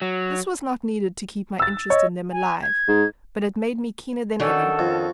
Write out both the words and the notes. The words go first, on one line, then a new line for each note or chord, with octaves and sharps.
This was not needed to keep my interest in them alive, but it made me keener than ever.
F#3
E6 A6
C#5 D#5
G#5
G#6
G#2
D#3 C#4 D4 F#4 A4
F2